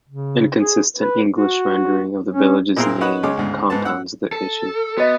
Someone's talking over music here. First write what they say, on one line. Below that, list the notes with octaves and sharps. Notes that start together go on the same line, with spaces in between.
Inconsistent English rendering of the village's name compounds the issue.
C#3
G#4
B4
F#4
C#4
A#2 C4 E4 G#4 A#4 C6
D#4 B4 C#5 F#5
C#2 G#3 C#5 D6
D2 G#2 C#3
G#2 B3 A5
F#5 E6
A4
B3 F#4 D#5 E5